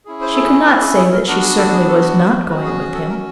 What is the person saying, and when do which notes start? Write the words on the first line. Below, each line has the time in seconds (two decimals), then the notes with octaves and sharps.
She could not say that she certainly was not going with him.
0.05 C#4 E4 G#4
0.21 C5
0.35 A4
0.52 G#4
0.66 A#4
0.81 G#4
0.97 G#4
1.12 A#4
1.27 B3 D4 F#4 A#4
1.42 G#4
1.57 A4
1.72 G#4
1.88 A4
2.19 C5
2.49 C#4 F#4 B4
2.65 G#4
2.80 G#4
2.94 A4
3.09 A#4